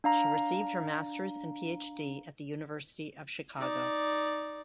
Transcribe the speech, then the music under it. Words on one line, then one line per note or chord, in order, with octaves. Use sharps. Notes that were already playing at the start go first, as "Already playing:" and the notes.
She received her Masters and PhD at the University of Chicago.
D4 F5 A#5
D#4 D5